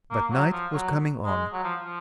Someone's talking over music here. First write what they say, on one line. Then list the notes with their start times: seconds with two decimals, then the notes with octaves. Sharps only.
But night was coming on.
0.11 A#3
0.31 F#3
0.52 F3
0.72 F#3
1.26 G#3
1.53 F#3
1.64 F3
1.83 F3